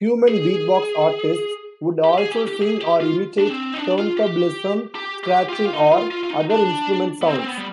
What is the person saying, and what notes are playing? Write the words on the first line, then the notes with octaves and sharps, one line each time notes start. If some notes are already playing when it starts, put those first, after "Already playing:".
"Human Beatbox" artists would also sing or imitate turntablism scratching or other instrument sounds.
G#4
G4
G#4
G4
G4
G#4
G4
F4
D4
C4
D#4
D4
F4
G4
G4
G4
F4
G4
F4
D#4
F4
F4
F4
D#4
D4
B3
C4
C4
B3
G3